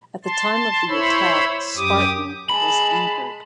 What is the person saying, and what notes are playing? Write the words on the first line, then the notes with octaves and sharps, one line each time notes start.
At the time of the attack "Spartan" was anchored.
A5 C6
E4 C5 C#5 B5 E6
F#2 G4 D6 D#6
G#3 A5 B5